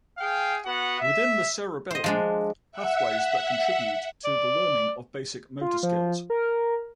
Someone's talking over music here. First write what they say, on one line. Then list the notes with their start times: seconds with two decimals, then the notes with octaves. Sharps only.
Within the cerebellum pathways that contribute to the learning of basic motor skills.
0.18 G#4 F5 G5
0.64 B3 F#4 F#5
1.01 E5
1.91 C5 D#5
2.04 F3 G#3 D4
2.72 E5 F#5
4.25 D5
5.61 F4
5.83 F3
6.30 A#4